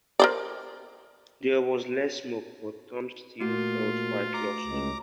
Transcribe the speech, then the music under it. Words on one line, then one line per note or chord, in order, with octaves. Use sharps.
There was less smoke, but Tom still felt quite lost.
A#4 C5 D5
A#2 A3 F4 F#4
A#5 D6
C#2